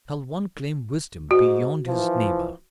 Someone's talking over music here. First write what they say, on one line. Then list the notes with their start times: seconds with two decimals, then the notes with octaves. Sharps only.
Shall one claim wisdom beyond his neighbor?
1.31 G#2 F#4
1.86 E3 F3